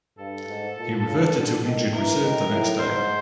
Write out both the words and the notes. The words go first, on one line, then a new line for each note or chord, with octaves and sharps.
He reverted to injured reserve the next day.
G2 A4
G#2
A#2
C#3
D3
D#3
E3 A#4
D#3
A2
G#2 C5